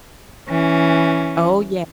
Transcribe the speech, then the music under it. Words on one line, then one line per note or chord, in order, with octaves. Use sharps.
Oh, ye
E3 C#4